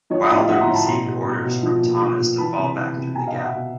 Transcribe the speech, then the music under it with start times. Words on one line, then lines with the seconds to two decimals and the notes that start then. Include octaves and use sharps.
Wilder received orders from Thomas to fall back through the gap.
0.10 F3 C#5 D#5
0.23 D5 E5
0.30 A2
0.35 D#5 F5
0.48 F3 E5 F#5
0.61 A#5 C6
0.67 A2
0.74 A5 B5
0.86 B2 A#5 C6
1.06 B2
1.24 B2
1.44 B2
1.63 F3
1.82 A#2
2.01 F3
2.19 A#2
2.38 E3 A5 B5
2.57 C3
2.76 E3
2.96 C3
3.14 B2 G#5 A#5
3.27 D#5 F5
3.34 B2
3.40 E5 F#5
3.53 B2